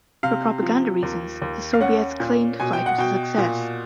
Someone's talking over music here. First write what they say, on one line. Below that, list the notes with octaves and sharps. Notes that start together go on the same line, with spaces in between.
For propaganda reasons the Soviets claimed the flight was a success.
C3 F5
F3
D#2
D#2
F5
C#4 F#5
A#2
B2 G#5
G5
F#5
B2 G5
A#2